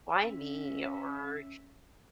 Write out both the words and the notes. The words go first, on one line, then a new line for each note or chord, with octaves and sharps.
"Why me?" or
C#4 E5